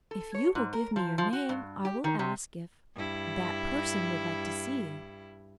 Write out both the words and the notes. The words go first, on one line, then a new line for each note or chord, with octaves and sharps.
"If you will give me your name, I will ask if--that person would like to see you."
A4
C#5
G#2
A#4
F3
F3
F#4
G2
G4
D#3
C3
G2 E4